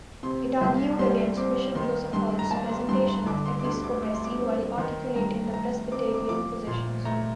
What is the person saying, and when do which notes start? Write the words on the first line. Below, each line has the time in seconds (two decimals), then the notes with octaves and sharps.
It argued against Bishop Joseph Hall's presentation of episcopacy, while articulating the Presbyterian positions.
0.23 C3 C6
0.61 C2 C6
0.99 G3 C6
1.37 C4 D6
1.75 D#3 C6
2.13 G2 C6
2.39 A#5
2.51 A#3 A5
2.69 C6
2.89 G2 C6
3.08 C6
3.26 D3 D6
3.46 C6
3.60 D6
3.64 D2 C6
3.84 D6
4.02 A3 D6
4.14 C6
4.24 D6
4.40 C4
4.78 D#3 C6
5.16 G2 A#5
5.54 A3 A#5
5.92 C4 D6
6.14 D6
6.29 F3 D6
6.67 A#2 C6
7.05 A3 A#5